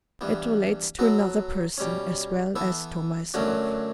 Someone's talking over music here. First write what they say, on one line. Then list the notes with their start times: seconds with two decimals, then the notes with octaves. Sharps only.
"It relates to another person, as well as to myself."
0.21 G2 E3 B3
0.99 F#3 B3 F#4 A4
1.78 B2 G3 C#4
2.56 E3 B3 E4 A4
3.34 F#2 D3 A3 C#4 F#4